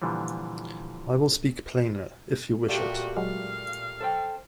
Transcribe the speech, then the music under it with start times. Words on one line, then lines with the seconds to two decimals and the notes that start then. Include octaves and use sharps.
I will speak plainer, if you wish it.
0.02 A#2 D3 E3 F3 G3
2.69 A#2 G3 A3 F#4 G4
3.17 F#3 G#3 F5
4.01 A4 C5 G5